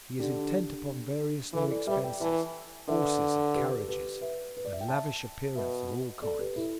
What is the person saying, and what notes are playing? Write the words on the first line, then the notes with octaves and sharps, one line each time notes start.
He is intent upon various new expenses,--horses, and carriages, and lavish appearances of all kinds.
D3 D4 G4
E3 E4 A4
A4 D5
G3 B4 E5
D5 G5
E3 E5 A5
D3 B4 E5
G4 B4
G4 B4
B4 E5
B4
D5
E5
G5
E5 A5
B2 B4 E5
A4 D5
G4 B4
E4 A4